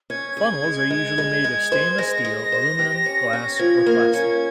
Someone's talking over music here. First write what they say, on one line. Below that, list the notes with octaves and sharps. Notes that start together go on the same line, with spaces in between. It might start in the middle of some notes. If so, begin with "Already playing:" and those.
Funnels are usually made of stainless steel, aluminium, glass, or plastic.
C#4 G#6
G#4 G#6
G#3
G#3
G#3
G#3
C5
G#3 A#6
G#3
C5
G4
C#4
C#4
F3 G#6
A#3
C#4